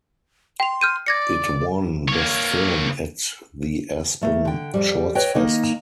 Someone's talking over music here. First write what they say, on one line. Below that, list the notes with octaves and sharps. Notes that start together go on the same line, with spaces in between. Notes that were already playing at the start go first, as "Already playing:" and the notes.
It won "Best Film" at the Aspen Shortsfest.
G5 C6 F7
F6 G6 D#7
D5 G#6 A#6 C#7
A#3 C#5
A3 A#3
D3 G5
F2 G3
B4 C#5 D#5 G5
D#3 A#3 D#4 D#5